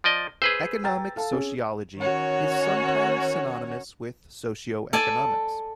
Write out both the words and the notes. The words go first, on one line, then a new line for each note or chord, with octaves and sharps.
Economic sociology is sometimes synonymous with socioeconomics.
F3 D5 D#5
G#4 B4 C5 E6
G5 A#5 A6
A4 F5 A5
C#4 G#4
D#3 C#4 F#4 C#5
A4 D5 G#5 A5